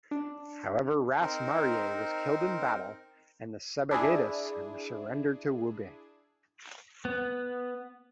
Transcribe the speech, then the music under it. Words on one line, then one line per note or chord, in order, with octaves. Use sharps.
However, "Ras" Marye was killed in the battle, and Sebagadis surrendered to Wube.
D4
C4 D#4 A#4 C5
D4 E4 G#4
B3